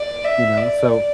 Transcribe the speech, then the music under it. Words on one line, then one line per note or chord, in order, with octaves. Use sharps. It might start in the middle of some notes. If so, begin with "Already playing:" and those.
You know? So
Already playing: D5
E5
D5